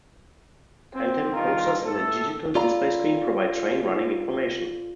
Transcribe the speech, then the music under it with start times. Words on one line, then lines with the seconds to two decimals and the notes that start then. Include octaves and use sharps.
Timetable posters and a digital display screen provide train running information.
0.94 C4
1.34 G2 D#3 F4 A#4
1.86 A2 A4
2.55 F4 A4 D5 F5 A#5 B5